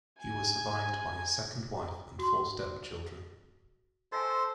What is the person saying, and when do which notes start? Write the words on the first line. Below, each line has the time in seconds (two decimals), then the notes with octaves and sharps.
He was survived by his second wife and four step-children.
0.20 G#5
2.19 F#4 C6
4.12 A4 C5 D#5 F5 G#5 C6